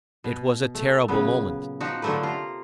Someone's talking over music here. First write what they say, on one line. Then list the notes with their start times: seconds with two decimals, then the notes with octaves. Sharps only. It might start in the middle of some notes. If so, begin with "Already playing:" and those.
It was a terrible moment.
0.24 B2
0.75 A3
1.08 A#2 C#3 F#3 B3
1.81 F3 D#4 F#4
2.02 D3 F3 F#3 A3 A#3 B4
2.23 C3 F4 A#5